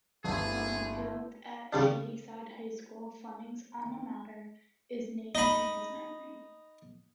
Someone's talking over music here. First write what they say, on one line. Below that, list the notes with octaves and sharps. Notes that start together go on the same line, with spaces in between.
Fleming Field at Shadyside High School, Fleming's alma mater, is named in his memory.
G1 A3 D4 E4 G#4 C5
C#3 G3 D4
D#4 B5